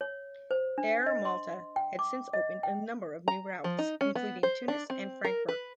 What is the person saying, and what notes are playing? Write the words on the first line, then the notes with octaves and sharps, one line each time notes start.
Air Malta had since opened a number of new routes, including Tunis and Frankfurt.
C#5
C5
D4
D#5
C6
G5
D6
D#5
G5
A#5
F3
D#4
C#4
B3
C5
D4
C4
A#4
B4